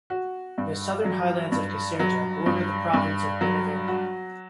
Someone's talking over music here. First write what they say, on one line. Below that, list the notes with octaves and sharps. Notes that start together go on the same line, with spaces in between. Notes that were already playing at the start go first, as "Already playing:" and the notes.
The southern highlands of Caserta border the Province of Benevento.
F#4
G2
F#3
G2
F#3
G2
G2
F#3
F#4